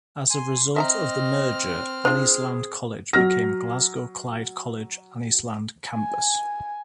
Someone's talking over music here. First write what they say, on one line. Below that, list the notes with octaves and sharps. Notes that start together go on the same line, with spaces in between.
As a result of the merger, Anniesland College became Glasgow Clyde College Anniesland Campus.
G#5 C6
C4 D#5 E5 A5 A#5 F6
D4 F4 G#4 C5
F#3 F6 A#6
G#5